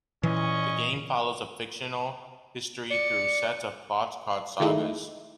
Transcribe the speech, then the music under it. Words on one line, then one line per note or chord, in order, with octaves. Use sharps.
The game follows a fictional history through sets of plots called "Sagas".
A#2 E3 C#4 D#5 C#6
D5 C#7
D#3 G#3 A3 D#4 E4